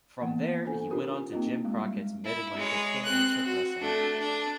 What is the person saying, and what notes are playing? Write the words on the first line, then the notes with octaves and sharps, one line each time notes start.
From there he went on to Jim Crockett's Mid Atlantic Championship Wrestling.
E3 A#3 B3 F#5
D4 F4 A4 C5 G#5
C#4 D4 F4 G4 A#4
A#3 C4 D#4 F4 D#5
G#3
G3
E4
G#3 C#5
C4 F#6
F#4
A3 D4
D4